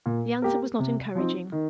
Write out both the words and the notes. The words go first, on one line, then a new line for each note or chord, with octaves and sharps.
The answer was not encouraging.
A#2
A#3 G4 A#4
C3
F3 C4 D#4
D#3